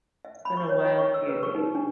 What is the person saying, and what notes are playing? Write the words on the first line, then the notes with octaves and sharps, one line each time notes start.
it's been a wild few days.
E5
B5
C#6
C#5
E5
C#6
E6
B4
C#6
D#4
D4